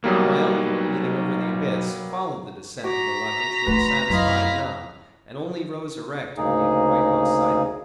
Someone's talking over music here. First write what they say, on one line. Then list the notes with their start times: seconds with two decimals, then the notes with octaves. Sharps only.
My uncle, leaning over the abyss, followed the descent of the luggage with a satisfied nod, and only rose erect when he had quite lost sight of it.
0.04 B1 F#3 G3 A#3
2.84 F#4 A#5 D6 B6
3.67 A3 C4 B4 F#5 C6
4.10 F#2 F#3 E4 D#5 F5 C6
6.37 D2 C#3 A#3 D#4 G#4